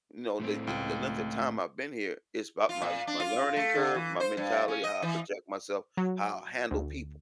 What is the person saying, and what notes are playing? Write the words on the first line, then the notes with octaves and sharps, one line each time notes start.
you know, the the the length of time I've been here, it's about my my learning curve, my mentality, how I project myself, how I handle people,
A2 A3 C4
C#2
F4
A#2
D4
F4
A3
D3
E3
C5
G2
C#4
D#5
E3
F#3
D2